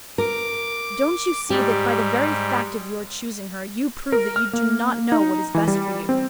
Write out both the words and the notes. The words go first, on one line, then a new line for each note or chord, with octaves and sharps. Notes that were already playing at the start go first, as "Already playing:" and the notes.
Don't you see that by the very fact of your choosing her you prove that you do not know what is best for you?
A#4 D6
G#2 G3 G4
A#4
F6
A#3
D#4
E3
G3
C4